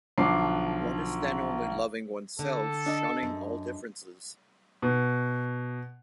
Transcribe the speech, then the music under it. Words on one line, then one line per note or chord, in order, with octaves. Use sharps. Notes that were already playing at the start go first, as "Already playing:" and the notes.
One is then only loving oneself, shunning all differences.
B1 D3 F3 D4 D6 C7
D3 A4
D4 D#5 A5
F#2
B2